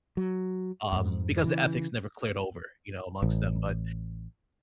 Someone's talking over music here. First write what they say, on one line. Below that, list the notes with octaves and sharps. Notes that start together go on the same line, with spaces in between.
um, because the ethics never cleared over, you know, amongst them, but
F#3
F2 G#2
C#3 E3
A1